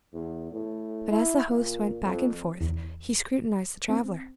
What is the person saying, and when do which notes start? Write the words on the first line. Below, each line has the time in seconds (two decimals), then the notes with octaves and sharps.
But as the host went back and forth, he scrutinized the traveller.
0.14 E2
0.52 A2
1.10 E4
1.48 A#2
2.03 F2
2.61 E2
3.89 C4